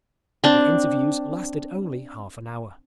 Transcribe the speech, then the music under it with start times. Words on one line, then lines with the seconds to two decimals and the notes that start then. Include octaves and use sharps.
The interviews lasted only half an hour.
0.44 C4 D4